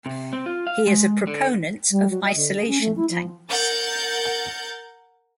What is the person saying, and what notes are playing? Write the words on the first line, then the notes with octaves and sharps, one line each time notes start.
He is a proponent of isolation tanks.
C3
C4
F4
F5
G#3
D3
G3
F#3
D#5
D3
G#4
C#4
A3
E4
F3
A#4 F#5 G6 A6